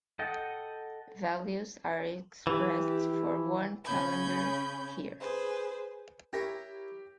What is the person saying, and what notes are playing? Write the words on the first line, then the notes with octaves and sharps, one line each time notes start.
Values are expressed for one calendar year.
A4 D#5 F#5 G5
E3 G4
C#3 C#4 B5 G6 G#6
G#4 B4 C5
E4 G4 A#4 C#5 A#6